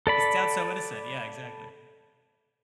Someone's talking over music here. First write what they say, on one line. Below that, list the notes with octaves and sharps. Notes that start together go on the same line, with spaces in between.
It sounds so innocent. Yeah, exactly.
A4 D5 B5